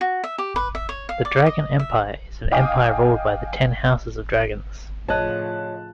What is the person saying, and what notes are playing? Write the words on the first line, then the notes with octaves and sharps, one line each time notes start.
The "Dragon Empire" is an empire ruled by the ten houses of dragons.
F#4
E5
G4
B4
E5
C#5
F5
D5
D#5
E5
D#5 F5 G5 G#5 D6 D#6
A2 C#3 F3 C#5 D#5 A5 F#6